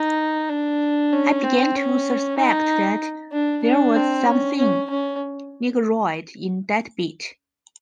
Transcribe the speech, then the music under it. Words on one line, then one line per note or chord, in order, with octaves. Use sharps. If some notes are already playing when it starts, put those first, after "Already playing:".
I began to suspect that there was something Negroid in that beat.
Already playing: D#4
D4
C#4
C4
C#4
D#4
D4
D4
C4
C#4
C#4
C#4